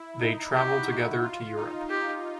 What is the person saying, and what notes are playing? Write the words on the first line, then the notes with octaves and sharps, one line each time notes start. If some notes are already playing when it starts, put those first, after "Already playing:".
They travel together to Europe.
Already playing: E4
D#4
F#4 G4
F4
D#4
D#4 G4